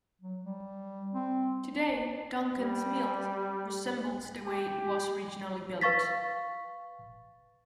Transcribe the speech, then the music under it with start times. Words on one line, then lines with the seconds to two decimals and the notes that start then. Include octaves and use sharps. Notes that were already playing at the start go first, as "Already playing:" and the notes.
Today, Duncans Mills resembles the way it was originally built.
0.21 F#3
0.45 G3
1.14 C4
2.57 G3
4.45 G4
5.81 B4 F5 C#6 A6 B6